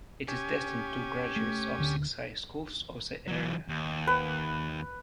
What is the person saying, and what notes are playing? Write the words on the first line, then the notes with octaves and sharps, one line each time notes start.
It is destined to graduates of six high schools of the area.
C#4 G4 G#5
A3
D1 D3
E3 F#3
D#2
B4